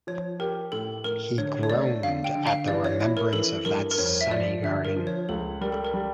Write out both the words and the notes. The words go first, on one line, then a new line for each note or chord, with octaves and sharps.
He groaned at the remembrance of that sunny garden.
F3 C#5
G4 A#4
A2 A4
A2 A#4
D3 C#5
C#5
A3 D5
D3 F5
G5
D3
F5
E3 D5
C#5
E4 C#5
A#4
E3 A4
G2 A#4
A#4
F2 C#5
E5
F3 D5
D3 E5
A#4
F3
C#5
C#2 A4
G3 A#4
A4
A#4
G3